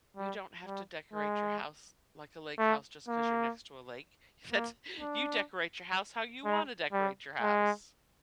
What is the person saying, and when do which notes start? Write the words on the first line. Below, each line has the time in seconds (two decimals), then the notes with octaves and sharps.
You don't have to decorate your house like a lake house just 'cause you're next to a lake. That's you decorate your house how you wanna decorate your house.
0.17 G3
0.66 G3
1.14 G#3
2.59 A3
3.08 A#3
4.52 A#3
5.00 D4
6.45 G#3
6.93 G3
7.42 G#3